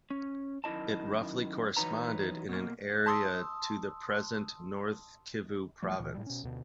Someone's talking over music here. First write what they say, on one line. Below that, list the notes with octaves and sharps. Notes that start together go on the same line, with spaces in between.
It roughly corresponded in area to the present North Kivu province.
C#4
F#2 D#3 E4 D#5 A5
E3 F#3 D#4 B4 A#5
B2 A#3
A5 C6 D#6 E6
A1 F3 G3 A3
D2 A#2 E3
A2 G3
B2 C#4
D2 B2